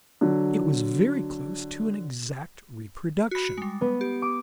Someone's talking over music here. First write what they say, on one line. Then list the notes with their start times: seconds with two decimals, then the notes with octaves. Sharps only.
It was very close to an exact reproduction.
0.21 D3 F#3
3.31 F#4 B5
3.58 G3 G#3
3.81 B3
4.01 G4
4.22 D6 D#6